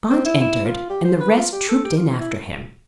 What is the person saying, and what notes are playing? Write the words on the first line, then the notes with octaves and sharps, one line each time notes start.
Gaunt entered, and the rest trooped in after him.
C4
E4
E4
F4
G4
C5
B4
F4
G4
A4
G4
F4
E4